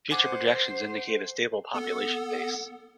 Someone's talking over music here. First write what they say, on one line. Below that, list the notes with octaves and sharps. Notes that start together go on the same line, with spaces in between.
Future projections indicate a stable population base.
G#4 C5 F#5 D6
B3 A4 F#5